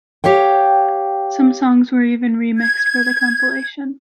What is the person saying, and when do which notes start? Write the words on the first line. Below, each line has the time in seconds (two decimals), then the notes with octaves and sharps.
Some songs were even re-mixed for the compilation.
0.24 G4 C#5 F5 G5
2.57 G#6